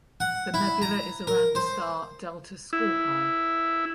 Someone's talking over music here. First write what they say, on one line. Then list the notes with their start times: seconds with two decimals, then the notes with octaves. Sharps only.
The nebula is around the star Delta Scorpii.
0.20 F#5
0.54 E4
0.82 A#5
1.27 A#4
1.55 C5
2.73 E4